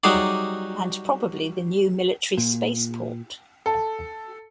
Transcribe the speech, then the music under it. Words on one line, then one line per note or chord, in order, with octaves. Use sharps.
And probably the new military spaceport.
F#3 G3 D#4 G#4 D5
A#2
A4